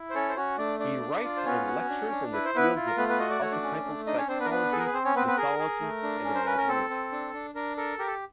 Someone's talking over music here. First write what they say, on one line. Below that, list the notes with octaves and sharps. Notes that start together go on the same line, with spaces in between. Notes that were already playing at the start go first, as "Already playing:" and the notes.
He writes and lectures in the fields of archetypal psychology, mythology, and imagination.
Already playing: E4
C5
C#4 A4 C#5
C5
C#4 F#4 C#5
A3 D4 D5
D4 D5
D4
F4
C5
B3 C#4 C#5
F#4
D4
D4
E4 B4
C5
B3 E4 B4
F4
A#4
A3 B3 B4
B3 B4
F#4 D#5
D5
A3 C#5
D4 D5
C#4
A3
D4 D#4 D#5
C#4 C#5
C4 D4 C5
B3 B4
A#4
B3 B4
G#4 A4
A#4
B4
C4 C5
C#4 C#5
B3 C4 B4
B3 B4
G#4 A#4
G#4
A3
D4
C#4
C5
C#4 B4
A#4
C4 A4
C4
D4
D4
D4 A#4
A4 A#4
G4 A#4
A4